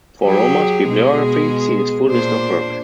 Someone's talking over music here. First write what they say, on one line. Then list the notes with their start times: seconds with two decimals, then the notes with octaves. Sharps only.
For Rohmer's bibliography, see his full list of work.
0.24 F#3 G4 G#4
0.86 B2 G#3 G#4
2.08 A#2 D4 C5